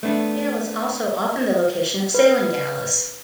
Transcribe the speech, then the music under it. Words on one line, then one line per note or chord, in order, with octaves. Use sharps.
Dale is also often the location of sailing galas.
A3 B3 D4
B4